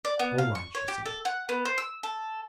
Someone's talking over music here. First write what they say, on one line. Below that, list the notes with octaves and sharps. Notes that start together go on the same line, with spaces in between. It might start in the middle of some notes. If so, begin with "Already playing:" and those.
"All right," she said.
D5
B3
F5
C#6
C#5
G4
A4
F#5
B3
C5
E6
A4